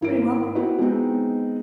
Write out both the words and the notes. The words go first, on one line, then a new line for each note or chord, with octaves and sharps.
Pretty well.
G#1 E4 A#4 D7
C4 E4 F#4 B4
G#3 B3 C4 D#4